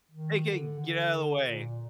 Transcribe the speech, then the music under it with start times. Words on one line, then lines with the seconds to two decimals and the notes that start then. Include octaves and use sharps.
Hey, King, get outta the way.
0.11 D#3
0.46 D3
0.79 D3
1.47 A#2